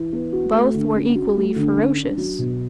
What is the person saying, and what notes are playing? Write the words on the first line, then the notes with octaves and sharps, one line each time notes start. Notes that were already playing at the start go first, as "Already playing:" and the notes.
Both were equally ferocious.
Already playing: E3
B3
F#4
A3
D3
C#4
F#4
A3
D3
C#4
D4
F#3
B2